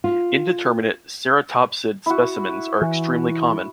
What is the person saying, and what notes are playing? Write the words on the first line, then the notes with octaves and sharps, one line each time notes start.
Indeterminate ceratopsid specimens are extremely common.
F4
E4 F#4
E3